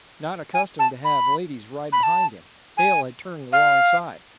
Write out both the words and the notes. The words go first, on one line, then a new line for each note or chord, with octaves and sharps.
Not accustomed to have ladies ride behind him, Hale had turned the wrong side.
G#5
A5
B5
B5
A5
G#5
F5